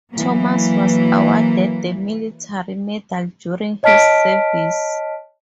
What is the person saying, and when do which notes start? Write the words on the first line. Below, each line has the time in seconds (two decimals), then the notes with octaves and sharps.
Thomas was awarded the Military Medal during his service.
0.14 E3 F#3 A#3
3.83 C#5 D#5 A5 F6 B6 D7